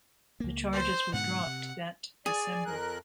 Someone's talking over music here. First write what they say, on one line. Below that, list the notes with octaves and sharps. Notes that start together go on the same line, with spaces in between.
The charges were dropped that December.
C#2 A#3
C5
G#2 B2 D3 F#5
C3
G#4 D5 G#5
F2 A#4 F#6